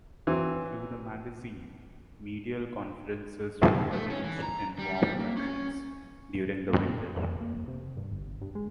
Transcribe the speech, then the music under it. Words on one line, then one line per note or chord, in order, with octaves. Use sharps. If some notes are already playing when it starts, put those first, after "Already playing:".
Through the magazine, medial conferences were arranged in warm countries, during the winter.
E3 F#3 C4
A3
C#4
E3
A#5
G3
G3
A#3
C#4
A#3
A#2
F#2
F2
A#3
F1
C3
G2
G1
G2
G#3